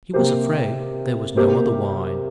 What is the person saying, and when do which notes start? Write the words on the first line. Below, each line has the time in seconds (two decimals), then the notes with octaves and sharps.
He was afraid there was no other wine.
0.13 C3 A#3 G4 C5
1.36 C3 A#3 G4 C5